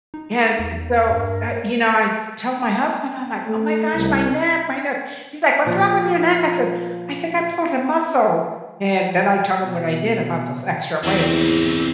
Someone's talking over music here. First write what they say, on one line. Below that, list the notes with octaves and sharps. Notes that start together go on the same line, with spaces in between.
And so, uh, you know, I told my husband, I'm like, "Oh my gosh, my neck. My neck." He's like, "What's wrong with your neck?" I said, "I think I pulled a muscle." And then I told him what I did about those extra weight.
D#4
E2
G2 A#4
A3
C2
A#2 F3
B2
E2 E3 C4